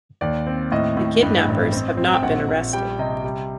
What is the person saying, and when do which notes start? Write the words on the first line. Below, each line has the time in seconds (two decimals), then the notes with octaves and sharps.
The kidnappers have not been arrested.
0.21 D#2 D5
0.47 C4
0.72 A2 D#5
0.97 A2
1.23 G2
1.47 A1
1.72 C4
1.97 C4
2.13 G5
2.23 A#1 F#5
2.49 A#1
2.73 G3 G5
2.99 C3 D#5
3.24 G3